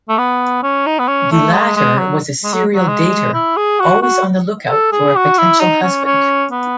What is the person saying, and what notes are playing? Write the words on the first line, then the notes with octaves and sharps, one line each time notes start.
The latter was a serial dater, always on the lookout for a potential husband.
A3
B3
C#4
D#4
B3
C#4
A3
G#3
G#3
F#3
G#3
F#3
F#3
G#3
E4
G#4
F#4
F#4
A4
G#4
F#4
E4
D#4
C#4
C#4
B3